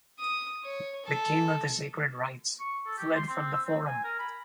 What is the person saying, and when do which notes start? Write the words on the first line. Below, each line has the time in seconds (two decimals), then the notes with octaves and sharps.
The King of the Sacred Rites fled from the forum.
0.19 D#6
0.64 C#5
1.05 A4
2.60 C#6
2.86 A4
2.98 G4
3.16 C6
3.29 C4
3.53 E6
3.66 C4
3.85 G#5
4.04 A#4
4.19 B5